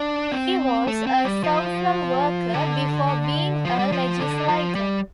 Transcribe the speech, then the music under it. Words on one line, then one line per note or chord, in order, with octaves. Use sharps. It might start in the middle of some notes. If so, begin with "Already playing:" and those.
He was a social worker before being a legislator.
Already playing: D4
C4
A3
C4
G3
F3
D3
F3
G3
F3
D3
F3
G3